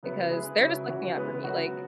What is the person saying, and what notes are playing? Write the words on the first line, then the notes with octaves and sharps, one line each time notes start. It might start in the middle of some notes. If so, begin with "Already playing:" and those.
because they're just looking out for me. Like,
C#3 F#3 B3 E4 B4
G#3 E4 G#4 B4
C#3 F#3 E4 B4
E3 C#4 F#4 B4
C#3 G#3 B3 E4 B4
F#3 B3 F#4 B4